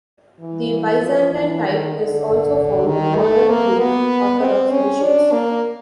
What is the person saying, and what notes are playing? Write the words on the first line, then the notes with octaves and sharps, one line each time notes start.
The Byzantine type is also found in modern Greek Orthodox editions.
E3
F3
E3
D#3
D3
D#3
A3
A#3
B3
C4
C#4
D4
A#3